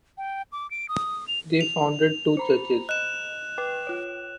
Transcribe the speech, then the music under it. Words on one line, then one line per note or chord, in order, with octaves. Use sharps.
They founded two churches.
G5
D6
D7
D#6
F7
F7
C5 A#5 B5
D#5 F#6 E7
B4 G5 D6
F4 C#5